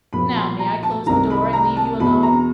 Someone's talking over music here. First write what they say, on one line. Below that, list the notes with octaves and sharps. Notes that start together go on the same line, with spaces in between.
Now, may I close the door and leave you alone?
B1 A#2 F3 B5
C6
A#5
A5
C2 C3 D#3 A#5
B5
A#5
A5
E2 B2 B5
A#5